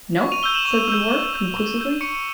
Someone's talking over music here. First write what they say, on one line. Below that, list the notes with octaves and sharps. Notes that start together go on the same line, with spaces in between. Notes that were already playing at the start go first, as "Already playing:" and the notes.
"No," said the dwarf, conclusively.
C#6
D#7 F7
E6 G6 F7 G7
E7 F#7
C#6 D#7 F7
E6 G6
C#6
E6 G6
C#6
E6 G6
C#6 C#7 D#7